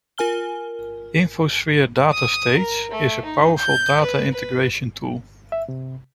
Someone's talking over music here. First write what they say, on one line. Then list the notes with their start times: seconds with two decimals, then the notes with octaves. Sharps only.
InfoSphere DataStage is a powerful data integration tool.
0.18 F4 A#4 G#5 F6 G7
2.12 D#6
2.57 A#4
2.91 A3
3.25 D#4
3.58 G6
4.01 B4
4.33 B4
5.52 E5
5.68 C3